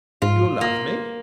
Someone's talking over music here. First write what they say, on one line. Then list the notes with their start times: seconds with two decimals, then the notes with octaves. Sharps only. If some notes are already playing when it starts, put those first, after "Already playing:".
"You love me?"
0.22 G#2 F4
0.61 A#3